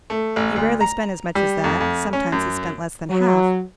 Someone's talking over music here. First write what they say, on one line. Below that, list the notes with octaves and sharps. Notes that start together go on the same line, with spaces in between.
He rarely, spent as much as that; sometimes he spent less than half.
A3
A1
D2
A#5
G3
F2
F2
C#4
F#2
F#3